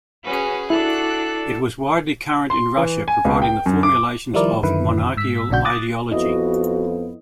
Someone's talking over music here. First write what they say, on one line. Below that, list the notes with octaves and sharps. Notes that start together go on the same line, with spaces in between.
It was widely current in Russia providing the formulations of monarchical ideology.
C#4 F#4 G#4 B4
D4 E4 F#4 A4 F#6
C6
E3
G#5
C#2
G5
F#2
D6
D#3 F3 G3 E4 A#4 D5
F#2 D3 D#3 E4 B4
G#2 E6 B6
A#1 A#2 C#3 D4 F#4 G6
D6 D#6 F#6 A6 A#6
F2 B3 E4 F#4 D#5